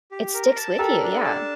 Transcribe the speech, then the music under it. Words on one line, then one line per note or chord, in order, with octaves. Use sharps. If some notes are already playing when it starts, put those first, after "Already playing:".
it sticks with you, yeah.
G4
A#4
A5
G4 A4 A#4
D4
A5